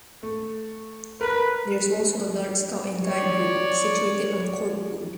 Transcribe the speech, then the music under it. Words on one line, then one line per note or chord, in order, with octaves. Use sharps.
There is also a large Scout and Guide group, situated on Court Road.
A3
A#4 B4
C#5 D5